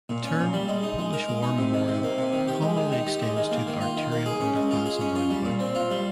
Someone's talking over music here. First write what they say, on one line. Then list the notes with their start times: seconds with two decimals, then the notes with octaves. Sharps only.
The term "Polish War Memorial" commonly extends to the arterial underpass and roundabout.
0.09 A#2
0.24 C#4
0.39 A#2
0.53 G3
0.68 G#3
0.83 D#4
0.99 G#3
1.13 A#4
1.28 G#3
1.43 D#4
1.58 C3
1.74 D#3
1.88 C3
2.03 A#3
2.18 C3
2.33 D#3
2.48 G4
2.62 G#3
2.77 D#3
2.92 D#4
3.07 G4
3.21 G#3
3.37 D#3
3.51 A#3
3.67 D#3
3.81 F4
3.97 D#3
4.12 A#3
4.26 G#4
4.40 C#4
4.55 G#3
4.71 F4
4.86 G#4
5.01 C#4
5.15 F4
5.30 G3
5.45 A#2
5.60 C4
5.75 F4
5.91 G3